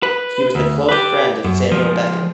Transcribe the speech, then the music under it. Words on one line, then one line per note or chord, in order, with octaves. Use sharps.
He was a close friend of Samuel Beckett.
B4
D2
G4 B4
F#2
F3 G#3